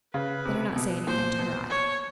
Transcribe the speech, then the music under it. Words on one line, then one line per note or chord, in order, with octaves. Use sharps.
"Better not say anything to her either."
C#3 B4
C3
B2
A#2 C5
B2
C#5